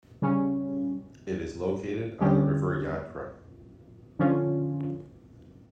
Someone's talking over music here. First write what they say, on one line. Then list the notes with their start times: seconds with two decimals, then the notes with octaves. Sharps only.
It is located on the river Yantra.
0.22 C#3 G3 C#4
2.21 D3 G3 C#4 G4
4.19 D3 F3 C#4 F4